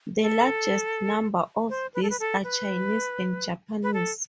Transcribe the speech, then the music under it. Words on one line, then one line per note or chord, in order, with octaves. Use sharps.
The largest number of these are Chinese and Japanese.
A4
C5
B4
A4
B4
A4
B4
B4
A4